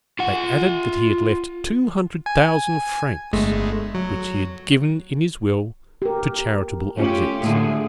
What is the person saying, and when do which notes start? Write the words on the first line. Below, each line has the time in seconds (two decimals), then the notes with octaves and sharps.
They added that he had left two hundred thousand francs, which he had given in his will to charitable objects.
0.19 F4 F#5
2.26 G#5
3.33 G1 G#3 A3
3.95 F#3
6.02 G4 A#4
6.97 A3 C#4 F4 G4
7.41 A2 D3 G#4